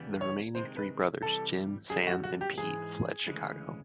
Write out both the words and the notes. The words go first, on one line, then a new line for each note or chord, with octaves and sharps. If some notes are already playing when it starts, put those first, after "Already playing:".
The remaining three brothers Jim, Sam, and Pete fled Chicago.
Already playing: E2 C#3 E3 G3 B3
C#5
C3 D#3 G#3 C4 C5
B4
C3 E3 G3 A4
F#2 D3 G3 G#4
F#4
F#4
G4
G#2 E3 G#3 G#4
D2 C#3 E3 G#3 C#4